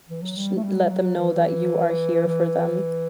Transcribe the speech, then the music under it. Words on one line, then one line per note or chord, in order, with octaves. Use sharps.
sh let them know that you are here for them.
E3
F#3
G3
A3
G3
F#3
E3
E3